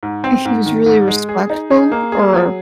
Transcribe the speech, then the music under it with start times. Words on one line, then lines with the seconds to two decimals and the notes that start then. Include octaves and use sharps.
He was really respectful or
0.03 G#2
0.24 C4
0.45 G#2
0.66 D#3
0.86 G#2
1.08 G#3
1.29 G#4
1.50 D#4
1.70 G#4
1.92 A#3
2.12 G#4
2.33 F#3